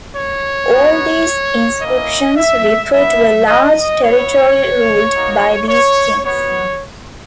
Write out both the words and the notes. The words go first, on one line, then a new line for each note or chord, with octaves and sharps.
All these inscriptions refer to a large territory ruled by these kings.
C#5
B3 D#4 F#4
A#3 C#4 E4 D#5
E5
B3 E4 E5
D#5
B3 E4 C#5
A#3 D#4 F#4
C#5
B3 F#4 C#5